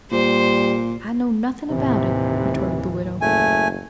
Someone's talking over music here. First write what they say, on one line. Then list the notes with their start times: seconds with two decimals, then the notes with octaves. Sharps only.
"I know nothing about it," retorted the widow.
0.12 A#2 G3 C5
1.70 A1 D#2 C3 E3
3.21 F#1 A3 G#5